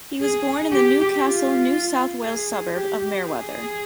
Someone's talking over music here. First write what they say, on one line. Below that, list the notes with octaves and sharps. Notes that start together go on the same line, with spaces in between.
He was born in the Newcastle, New South Wales suburb of Merewether.
G#4
G4
F4
G#4
G4
G#4